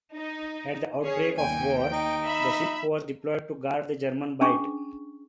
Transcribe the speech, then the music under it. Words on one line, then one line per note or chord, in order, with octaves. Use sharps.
At the outbreak of war, the ship was deployed to guard the German Bight.
D#4
C#4 G#4 C#5
D#2 G5 G#5
D#4
E5 B5
C#4 D4 G#4 C#6